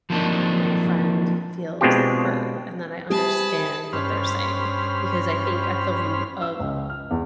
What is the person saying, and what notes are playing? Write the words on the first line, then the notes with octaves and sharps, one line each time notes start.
my friend feels heard and that I understand what they're saying. Because I think at the root of
F3 F#3 A#3 C4 D4 D#4
B2 G#3 C4 D4 F4 G4
C3 E3 G3 G#4 A5 B5
G2 C#4 C5 B5 F6
E6
C#2
F6
E2